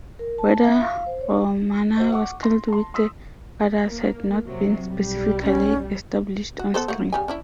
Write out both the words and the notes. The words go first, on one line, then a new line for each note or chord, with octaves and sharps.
Whether Romana was killed with the others had not been specifically established on screen.
A#4
A5
E5
F5
C5
C#5
F#4 C5 D#5
F#5 C#6 D6
C6 A#6
A5 C6
C6 D#6 E6 B6
A#3
C3 F#3
B1 G3
C#4
F#4
B3 A4 C5
A3 A#3 F#5
C#3 G3 G#5
C#4 D4 E4